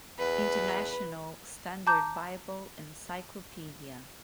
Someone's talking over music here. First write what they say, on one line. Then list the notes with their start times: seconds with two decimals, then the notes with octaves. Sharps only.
"International Standard Bible Encyclopedia".
0.19 E2 B4
1.87 A5 A#5 D6 G6